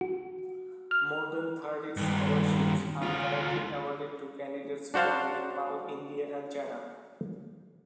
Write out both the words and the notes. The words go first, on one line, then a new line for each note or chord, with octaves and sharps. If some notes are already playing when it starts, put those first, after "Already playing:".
More than thirty scholarships are currently awarded to candidates from Nepal, India and China.
F#4
F6
G2 D#3
D2 F4
D4 F#4 C5 F5 A5